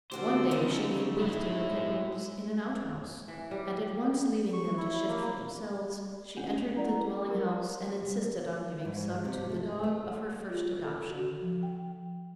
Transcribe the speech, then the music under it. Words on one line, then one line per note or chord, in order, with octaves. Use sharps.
One day she gave birth to her kittens in an out-house, and at once leaving them to shift for themselves, she entered the dwelling house and insisted on giving suck to the dog of her first adoption.
D3 A#3 F#4 G4 C5 E6
C#3 B3 D#4
G2 A3 E4
G#3
E3
G3
C#6
E4
A#3
C#4 D4 F#5
E4 D5 F#5
G4 A#4
G#2
G#3
C3
A3
A3
F4
A4
F#4
F3
G5